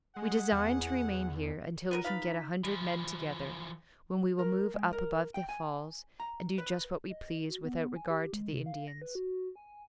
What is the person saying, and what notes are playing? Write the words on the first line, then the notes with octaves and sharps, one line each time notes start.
We design to remain here until we can get a hundred men together, when we will move up above the falls and do just what we please without regard to the Indians.
G#3 G#4 F#5
E2
B3 D#4 F4 A#4 C#5 D#7
D#4 F4 B4 F5 A#5 B6
E3 F3
A#4
G#3
A#4
G5
G#5
A#5
B4
D#5
F#4
B3
G#5
G4
G#3
C3
F5
A#6
B4
F#4
G#5